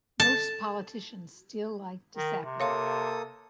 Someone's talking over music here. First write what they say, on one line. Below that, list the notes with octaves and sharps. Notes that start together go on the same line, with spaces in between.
Most politicians still like DeSapio.
A5
D#3
C3
A#3 A4 C#5 F5 C6 D#6